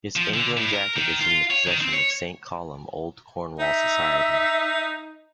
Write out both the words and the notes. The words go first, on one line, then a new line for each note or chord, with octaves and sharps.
His England jacket is in the possession of Saint Columb Old Cornwall Society.
F3
D3
A2
A#4
D#3
F4
C#5
D#3
C4
C#5
D#4 E5